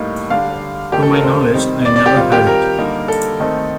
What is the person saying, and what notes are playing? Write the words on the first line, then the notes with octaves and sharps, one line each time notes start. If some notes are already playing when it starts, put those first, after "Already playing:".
To my knowledge I never heard it.
Already playing: A2 G3 A#3 D#4
D3 G3 D4 F5
F2 D#3 A3 G4
A4
A#4
C5
C3 D#3 G3 C4 D#4
D5
D5
G4
D#3 G3 C4 F4
G4
A#4
D3 G3 A#3 D#4
A4
D#3 A3 C4 D#4